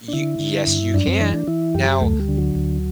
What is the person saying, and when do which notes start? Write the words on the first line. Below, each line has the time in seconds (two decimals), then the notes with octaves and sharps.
You yes, you can. Now
0.08 D4
0.13 D3 E4
0.39 D3
0.67 G2
0.94 F#2 D4
1.07 C4
1.20 E3 D4
1.34 D4
1.47 E3 E4
1.74 F#2 G4
2.01 D2 A3
2.20 G3
2.28 D3
2.37 F#3
2.55 D2